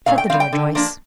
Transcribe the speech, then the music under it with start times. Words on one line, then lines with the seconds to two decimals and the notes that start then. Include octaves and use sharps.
"Shut the door, Joyce."
0.06 A#2 F5
0.18 G5
0.30 C4 F5
0.34 G3
0.40 G5
0.53 D3
0.75 F3 A#3 D4